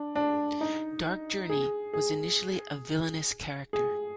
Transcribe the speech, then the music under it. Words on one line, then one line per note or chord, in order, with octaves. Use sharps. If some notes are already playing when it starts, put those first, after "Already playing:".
Dark Journey was initially a villainous character.
Already playing: D4
D4
D#4
G#4
G#4
G#4